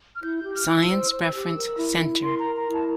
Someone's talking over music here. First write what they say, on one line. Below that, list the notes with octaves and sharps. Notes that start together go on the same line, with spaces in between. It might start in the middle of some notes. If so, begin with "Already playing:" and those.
Science Reference Center.
F6
E4 G6
G6
G4
F6
E4
E6
C5
C5
G4
A#4
E4
E4
A#4 C6
A#5
A#4
A#5
E4
A5